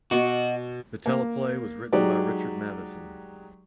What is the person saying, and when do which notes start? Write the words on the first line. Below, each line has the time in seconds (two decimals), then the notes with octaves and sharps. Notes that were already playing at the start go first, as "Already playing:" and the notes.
The teleplay was written by Richard Matheson.
0.11 B2 F#4 D#5 C#6 D6
1.06 A#3
1.92 F#3 G#3 D#4 G4 D5